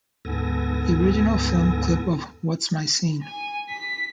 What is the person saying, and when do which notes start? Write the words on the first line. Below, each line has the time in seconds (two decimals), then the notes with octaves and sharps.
The original film clip of What's My Scene?
0.25 D2 G#2 B3 A4 G#5 A#6
3.23 G#5
3.70 B6